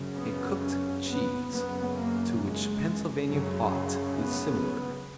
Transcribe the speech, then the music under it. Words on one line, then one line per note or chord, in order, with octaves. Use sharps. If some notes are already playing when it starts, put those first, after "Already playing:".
A cooked cheese to which Pennsylvania pot is similar.
Already playing: F#2 C#3
B3
C#4
B3
F#2 C#3 B3
A#3
G#3
F#2 C#3 F#3
B3